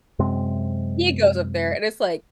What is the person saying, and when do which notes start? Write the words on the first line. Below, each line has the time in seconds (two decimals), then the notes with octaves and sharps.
he goes up there, and it's, like,
0.19 F#2 C3 G#3 C4